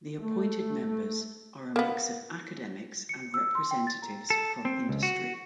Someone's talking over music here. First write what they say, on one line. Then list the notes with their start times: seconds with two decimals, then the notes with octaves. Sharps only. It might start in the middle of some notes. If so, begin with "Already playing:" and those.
The appointed members are a mix of academics and representatives from industry.
0.20 A3
1.76 A#3 B3
3.09 C#7
3.34 E6
3.55 C6
3.71 G5
3.87 A6
4.02 A#5
4.30 A4
4.65 C4
4.89 C#2
5.03 F#4